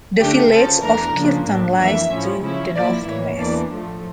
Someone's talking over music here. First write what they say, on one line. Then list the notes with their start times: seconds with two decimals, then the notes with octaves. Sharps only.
The village of Kirton lies to the north-west.
0.19 D3 A3 D4 G4
0.51 C#3 F3 C#4 A4
0.83 E2 E3 A3 D4 A#4
1.15 C#3 F3 A#3 D4
1.48 A2 G3 D4
1.79 F2 E3 A#3 E5
2.12 A2 F3 C#4 E4
2.43 C#3 F3 C#4 E4
2.75 A#2 F3 A#3 E4 D5
3.07 A2 E3 A#3 C#5
3.39 E2 E3 A#3 D4 D5
3.72 A2 F3 A3